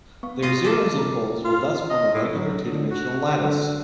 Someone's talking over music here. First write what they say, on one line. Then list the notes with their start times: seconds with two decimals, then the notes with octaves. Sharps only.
Their zeros and poles will thus form a regular, two-dimensional lattice.
0.23 B3 F5 C#6
0.42 F4 D#5
0.65 E4 F4 A4 D6
0.99 A#5
1.44 F4
1.90 D#5
2.14 A2
2.32 F#3
2.70 D3
2.90 F#4
3.35 D3